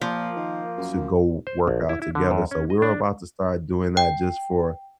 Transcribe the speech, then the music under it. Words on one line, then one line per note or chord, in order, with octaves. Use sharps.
to go work out together, so we're about to start doing that just for
A#2 F3 A#3
D#3
F#2
C5
A#1
E4
E4
D3
F#2
C#4
D#5
D4
G5